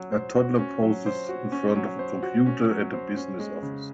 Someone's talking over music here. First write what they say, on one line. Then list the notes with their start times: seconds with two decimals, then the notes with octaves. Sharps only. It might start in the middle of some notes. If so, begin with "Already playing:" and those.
A toddler poses in front of a computer at a business office.
Already playing: F#3 C#4
0.12 C5
0.35 F#4
0.59 C#4
0.82 F#3
1.06 C5
1.29 F#4
1.52 C#4
1.76 F#3
1.99 C5
2.22 F#4
2.46 C#4
2.69 F#3
2.93 C5
3.16 C#4
3.40 G#3
3.63 C#3